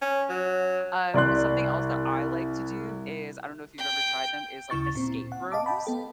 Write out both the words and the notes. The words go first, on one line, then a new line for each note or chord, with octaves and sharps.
Um, something else that I like to do is I don't know if you've ever tried them is like escape rooms.
C#4
F#3
C2 D5 C6 F#6
G5
D2 C#3 E4 C#6 A6
A#2 C4
F#5
D#5 F5 A5 D6
G5 A5 B5
B3 A4